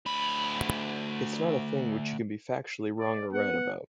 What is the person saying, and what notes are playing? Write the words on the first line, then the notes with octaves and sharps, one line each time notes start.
It's not a thing which you can be factually wrong or right about.
D2 B5
D5
B3 F#5